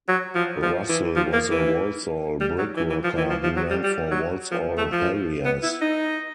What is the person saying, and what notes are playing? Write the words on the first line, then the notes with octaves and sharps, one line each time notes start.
Russell was a Walsall brick worker who ran for Walsall Harriers.
F#3
F3
F3
E3
F3
A#3
E3
G3
F#3
E3
E3
F3
E3
F3
F3
F#3
G3
G3
F#3
F3
A3
F3
B3
E4
D#4